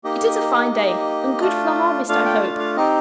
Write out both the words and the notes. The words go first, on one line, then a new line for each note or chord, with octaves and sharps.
It is a fine day, and good for the harvest, I hope.
A#3 D#4 G4 D#5
A#3 D#4 G4
A3 D4 F4
A3 D4 F4 F5
G5
F5
F5
C4 D#4 G4 D#5